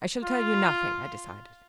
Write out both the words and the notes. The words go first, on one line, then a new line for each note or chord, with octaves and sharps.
"I shall tell you nothing," I decided.
F4